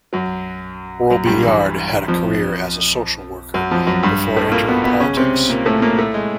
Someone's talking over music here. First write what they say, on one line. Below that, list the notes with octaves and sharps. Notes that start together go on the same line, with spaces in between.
Robillard had a career as a social worker before entering politics.
F#2 F#3
F#2 F#3
G2 G3
E3
F2 F3
F#2 F#3
F2 F3
F#2 F#3
G2 G3
A2 A3
A#2 A#3
B2 B3
B2 B3
C#3 C#4
C3 C4
A#2 A#3
A2 A3
A#2 A#3
A2 A3
G#3